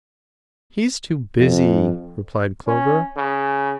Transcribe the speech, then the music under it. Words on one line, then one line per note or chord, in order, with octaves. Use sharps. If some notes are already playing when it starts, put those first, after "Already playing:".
"He's too busy," replied Clover.
F2
C#4
C#3